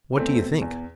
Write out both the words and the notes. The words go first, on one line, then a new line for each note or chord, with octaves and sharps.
What do you think?
E2 A3 C4
B2
E2